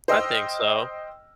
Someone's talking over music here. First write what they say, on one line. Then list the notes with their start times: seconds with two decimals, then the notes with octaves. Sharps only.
I think so.
0.08 C5 D#5 G5 E6 F6